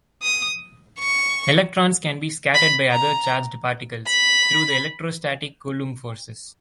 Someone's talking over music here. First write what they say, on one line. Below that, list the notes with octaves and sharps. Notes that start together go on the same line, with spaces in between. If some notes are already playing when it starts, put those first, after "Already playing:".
Electrons can be scattered by other charged particles through the electrostatic Coulomb forces.
D#6
C#6
B5
A#5
B5